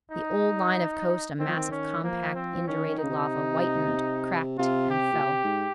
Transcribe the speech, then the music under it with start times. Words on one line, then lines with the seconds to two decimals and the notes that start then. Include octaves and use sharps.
The old line of coast, a mass of compact, indurated lava, whitened, cracked and fell.
0.12 D#4
1.39 D#3 C4
1.48 F3
1.56 D#3
1.71 C#4
2.04 F3 A#3
2.35 C4
2.55 F3
2.67 D#3 C#4
2.89 D#3
2.99 C#3 D#4
3.10 C3
4.58 C3 F4
4.91 G4
5.13 A#2
5.23 C3
5.44 G#2